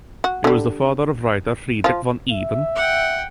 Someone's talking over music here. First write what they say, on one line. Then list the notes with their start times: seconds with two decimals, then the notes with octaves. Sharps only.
He was the father of the writer Frederik van Eeden.
0.24 F#4
0.44 D3 G3
1.84 F3 F4
2.31 E5
2.76 F#5 G5